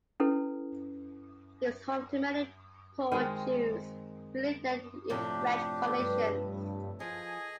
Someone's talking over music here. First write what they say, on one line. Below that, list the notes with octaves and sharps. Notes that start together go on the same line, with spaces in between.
It was home to many poor Jews who lived there in wretched conditions.
C#4 E4 A4 B4
D#3 G#3 C4
A2 C3 F3 D4 G4
G2 A4 B4
F3 G#4 D#5 G#5